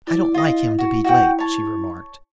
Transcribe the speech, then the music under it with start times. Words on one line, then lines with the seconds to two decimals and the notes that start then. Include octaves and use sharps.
"I don't like him to be late," she remarked.
0.07 E4 D5
0.34 F4 D#5
0.79 F#4
1.04 F#4 F#5 G5
1.38 C#5 A5